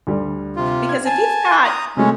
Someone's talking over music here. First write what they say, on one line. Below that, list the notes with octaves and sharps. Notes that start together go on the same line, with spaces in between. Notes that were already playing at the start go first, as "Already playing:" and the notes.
because if you've got
D2 G3
C3 F4
G#6
G#5 A5
A#5 D#6
C3 F#3 G#3 A3 C#4